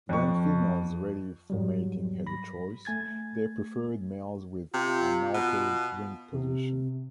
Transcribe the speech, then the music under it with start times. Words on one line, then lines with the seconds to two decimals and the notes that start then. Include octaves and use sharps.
When females ready for mating had the choice, they preferred males with unaltered wing position.
0.09 F2 C#6
1.50 G#2 F#3 G3
2.27 B5 A#6
2.85 A3 G#5 G#6 A6
4.74 C3 F4
5.34 B2
6.33 C3